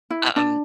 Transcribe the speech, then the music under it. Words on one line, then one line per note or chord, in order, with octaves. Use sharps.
Uh um,
E4
D4